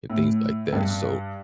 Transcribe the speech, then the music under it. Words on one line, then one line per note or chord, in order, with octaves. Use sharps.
and things like that. So,
A2
G2